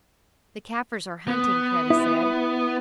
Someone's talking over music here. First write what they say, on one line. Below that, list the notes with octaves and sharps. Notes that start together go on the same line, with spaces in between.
"The Kaffirs are hunting," Kreta said.
B3
E4 E5